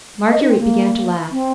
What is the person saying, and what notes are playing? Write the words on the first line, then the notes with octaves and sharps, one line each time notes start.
Marguerite began to laugh.
D#5
D#4
C4
A#3
C4